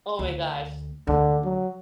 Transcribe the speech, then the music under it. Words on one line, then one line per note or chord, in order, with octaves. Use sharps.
Oh my gosh.
D2
D2 D3
F#3